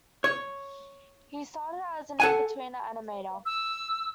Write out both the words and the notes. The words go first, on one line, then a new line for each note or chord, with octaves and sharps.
He started out as an "In-Betweener" animator.
C#5
A4 F#5 G#5
E6